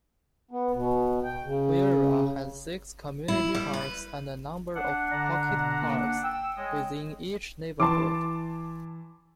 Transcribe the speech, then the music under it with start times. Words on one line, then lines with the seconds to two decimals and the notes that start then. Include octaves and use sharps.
Viera has six community parks and a number of pocket parks within each neighborhood.
0.51 B3
0.74 B2
1.24 G5
1.44 C#3
3.28 E4
3.55 G3
3.73 B4
4.75 D4 F#5
5.11 D3 D5 A#5
5.49 B2
5.82 A#3
6.23 G5 E6
6.56 G#3 C#5 D#5
7.80 E3 A5 C6 D6